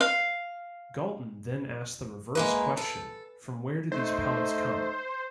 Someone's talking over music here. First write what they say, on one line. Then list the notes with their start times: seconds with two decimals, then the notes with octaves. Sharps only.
Galton then asked the reverse question from where did these pellets come?
0.01 F5
2.35 G#3 A#3 B4
2.77 A4
3.92 A3 D#4 C5